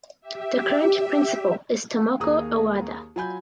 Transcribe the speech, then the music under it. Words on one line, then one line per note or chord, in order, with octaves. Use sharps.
The current principal is Tomoko Owada.
G4 E5
D#2 A#3 G#4 A#5 D#6
F#3 F4 G#5 B5 G6